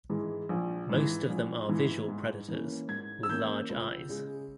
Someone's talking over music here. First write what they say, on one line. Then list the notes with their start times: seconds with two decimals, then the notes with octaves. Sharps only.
Most of them are visual predators with large eyes.
0.10 G#2 E3 G#3
0.49 A#1
0.89 G#2 E3
1.29 A#1
1.69 G#2 E3
2.09 G#2
2.48 E3 A#3 C#4
2.88 G#2 G#6
3.23 E6
3.29 E3 A#3 C#4 G6
3.69 C#2
4.09 C#3 G#3